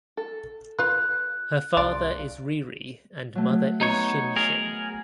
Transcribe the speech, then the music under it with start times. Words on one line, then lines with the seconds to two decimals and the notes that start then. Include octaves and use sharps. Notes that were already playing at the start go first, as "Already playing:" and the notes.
Her father is Ri Ri and mother is Shin Shin.
0.17 A4
0.79 F4 B4 F#6
1.77 C2 F4 D5
3.35 F#3 A3
3.81 B3 D#4 C#5
4.36 G#4 A#4